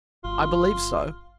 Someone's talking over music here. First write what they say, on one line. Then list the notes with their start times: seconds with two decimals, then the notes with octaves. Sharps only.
"I believe so."
0.24 G1 F4